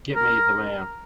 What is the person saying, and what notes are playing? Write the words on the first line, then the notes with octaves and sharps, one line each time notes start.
Get me the man.
A#4